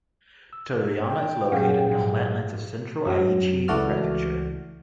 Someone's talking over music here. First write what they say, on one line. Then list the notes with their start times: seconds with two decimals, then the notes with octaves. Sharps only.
Toyoyama is located in the flatlands of central Aichi Prefecture.
0.53 E6
1.06 G5
1.52 A#2 F#3 C#4 G4 G#4 F5 F#5
1.91 G#2
3.06 F#2 F#3
3.68 C#2 E3 A3 F#4 D5 F6